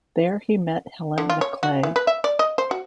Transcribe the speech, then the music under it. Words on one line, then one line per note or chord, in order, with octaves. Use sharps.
There he met Helen McClay.
D3
F4
C#5
F#4
E3
B4
E5
D5
D#5
C5
F#4